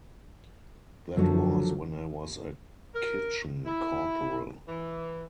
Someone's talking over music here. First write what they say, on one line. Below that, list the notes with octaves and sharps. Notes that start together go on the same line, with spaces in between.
That was when I was a kitchen corporal.
F#2 D3 F3 F#3 F#4
A#4
E4
E3